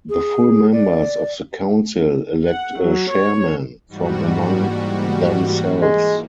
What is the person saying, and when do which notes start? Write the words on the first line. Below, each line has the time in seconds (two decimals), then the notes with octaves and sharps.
The full members of the Council elect a Chairman from among themselves.
0.09 G#4
0.72 D5
2.47 F#5
2.82 F#3
3.12 C#5
3.88 G#2 E3 G3 A#3 F#4
5.82 G#3